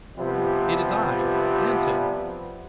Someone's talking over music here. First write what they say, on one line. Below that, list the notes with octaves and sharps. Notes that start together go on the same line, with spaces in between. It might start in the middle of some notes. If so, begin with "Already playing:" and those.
It is I--Denton.
C3 F3 G3 B3 B4